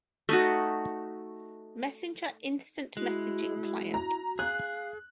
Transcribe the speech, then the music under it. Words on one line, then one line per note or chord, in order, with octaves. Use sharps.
Messenger instant messaging client.
A3 D#4 F#4
G#3 E4 F#4
A#5
G#4 F5 F#6